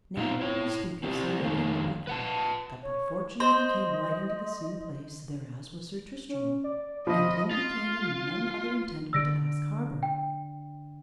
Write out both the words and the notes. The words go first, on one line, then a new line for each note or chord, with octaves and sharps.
NOW will we speak of Sir Lucan the butler, that by fortune he came riding to the same place thereas was Sir Tristram, and in he came in none other intent but to ask harbour.
A#2 D#4 F4 F5 A#5
E4 C#5
C4 E4 G4 C5 D5
F2 D#3 G#3 D#4 F5
B4 F#5 A5
C#5
C5 D#5 C6
C#4
D5
F3 D#5 B5
F4
D3 E6 A6 A#6 D7
G5